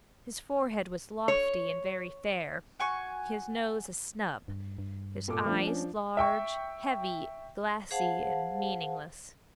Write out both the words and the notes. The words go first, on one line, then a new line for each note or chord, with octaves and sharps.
His forehead was lofty and very fair; his nose a snub; his eyes large, heavy, glassy, and meaningless.
C#5
F#4 G#5 C#6
G2
G2
A#2 A4 D6
F3 A3 D4
C#4
E5 G5 C#6
G#4 C5 F5 F#5 A5